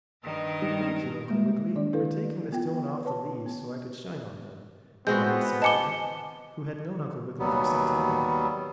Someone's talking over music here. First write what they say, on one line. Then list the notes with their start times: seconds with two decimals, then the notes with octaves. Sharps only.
"Thank you, Uncle Wiggily, for taking the stone off the leaves so I could shine on them," went on the sunbeam, who had known Uncle Wiggily for some time.
0.23 G2 D#3 A#4
0.62 G3 D#4 G4
1.29 G3 G#3 A#3
1.76 D#3 D4 D5
1.93 E4 A4 B4 F5
2.52 B3 F4 G5
3.05 B4 C#5 A5
3.46 B3
5.07 G#3 B3 C4 F#4 G6
5.62 D#5 G#5 A5 D6 C#7 G7
7.39 D#2 F#3 G3 B3